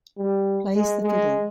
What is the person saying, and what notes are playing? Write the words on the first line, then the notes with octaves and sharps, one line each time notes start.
Plays the fiddle.
G3
G#3
G#3